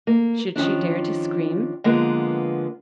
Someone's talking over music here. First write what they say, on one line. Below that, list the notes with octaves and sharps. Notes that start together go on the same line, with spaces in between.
Should she dare to scream?
A#3
D#3 F3 C#4 D4
D3 F3 G#3 A#3 B3